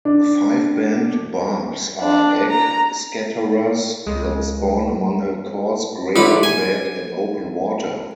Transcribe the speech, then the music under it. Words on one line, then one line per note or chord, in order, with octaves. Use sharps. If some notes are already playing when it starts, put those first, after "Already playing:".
Fiveband barbs are egg-scatterers that spawn among a course gravel bed in open water.
D4
D4
A#5
C#2 G#3
A1 D3 F4 B5
G#5